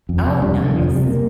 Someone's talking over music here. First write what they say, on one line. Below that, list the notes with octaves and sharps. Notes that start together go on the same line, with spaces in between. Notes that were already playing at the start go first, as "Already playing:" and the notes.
Oh, nice.
F2
C3
F2 G3
C3
D3
F2 F3
C3
G3
A#3